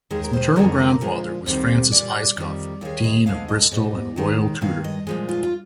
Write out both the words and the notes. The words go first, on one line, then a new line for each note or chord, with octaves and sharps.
His maternal grandfather was Francis Ayscough, Dean of Bristol and royal tutor.
D#2 D#3 G#3 G#4
A#4
C5
F2 D3 G#3 A#4
A#2 F3 G#3
D2 C3 D#3 G3 C5
A#2 G3 D5
F2 D#3 G3
D#2 D#3 G#3 F5
D#5
D2 D3 G#3 F5
D#5
G#2 G3 D#5
D#2 D#3 G#3
G2 D#3 G#3 F5
D#5
A#2 F3 G#3
F4
F4